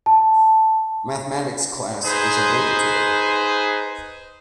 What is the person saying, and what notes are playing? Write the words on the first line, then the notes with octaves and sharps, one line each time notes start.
Mathematics class is obligatory.
A5
D#4 G#4 B4 C5